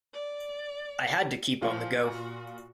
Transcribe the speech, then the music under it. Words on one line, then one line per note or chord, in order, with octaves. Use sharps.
I had to keep on the go.
D5
A#2 F3 F4
F#4